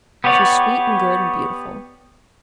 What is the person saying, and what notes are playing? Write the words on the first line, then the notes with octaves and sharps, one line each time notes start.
She's sweet and good and beautiful.
B3 G4 B4 C#5 D5